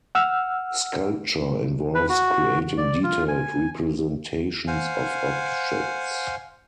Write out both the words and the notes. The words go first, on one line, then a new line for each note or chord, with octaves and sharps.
Sculpture involves creating detailed representations of objects.
F#5 E6 F6
B4
F#4
D5
F4
G#5
C5 F5 F#5 G#5